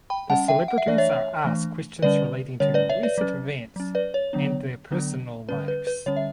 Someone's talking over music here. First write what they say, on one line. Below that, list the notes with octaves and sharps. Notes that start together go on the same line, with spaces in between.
The celebrities are asked questions relating to recent events and their personal lives.
G5 B5
G3 C#4 F#5 A5
E5 G5
F#5
E5
E3 A3 D4 D5
C#5 E5
E3 A3 D4
D3 G3 C#4 B4 D5
D3 G3 C#4 C#5
B4 D5
C#5 E5
B4 D5
F#3 C#4
F#3 C#4
B4 D5
C#5
D3 F#3 B3 D4
D3 F#3 B3 D4
D3 G3 C#4 B4
B4
B4
D3 G3 C#4 C#5
E5